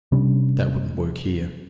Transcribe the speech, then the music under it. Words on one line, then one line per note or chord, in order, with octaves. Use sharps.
That wouldn't work here.
C3 G3 C#4 D4